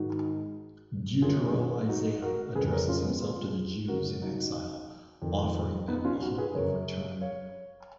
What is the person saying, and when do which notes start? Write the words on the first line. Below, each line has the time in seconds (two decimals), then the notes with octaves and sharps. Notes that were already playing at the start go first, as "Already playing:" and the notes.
Deutero-Isaiah addresses himself to the Jews in exile, offering them the hope of return.
Already playing: G#2 D#3 D#4 F#4
1.22 F#2 D#3 F4 G#4
1.88 D#4 F#4
2.22 F#4 A#4
2.55 C#3 G#4 B4
2.59 F2
2.72 A#4 C#5
2.89 C#4 F4
3.05 B3
3.22 F4 G#4
3.88 F#2 C#3 F#4 A#4
4.22 D#4 F#4
5.22 F2 D#3
5.88 B3 D#4
6.04 C#4 F4
6.21 D#4 F#4
6.38 G#4 B4
6.55 F#2 C#3 A#4 C#5
7.21 C#5 F5